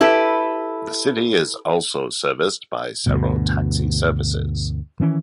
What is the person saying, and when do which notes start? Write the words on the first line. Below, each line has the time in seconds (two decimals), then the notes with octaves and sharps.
The city is also serviced by several taxi services.
0.01 E4 G4 A4 B4
3.06 D2 G2 B2
5.00 D#3 E3 C#4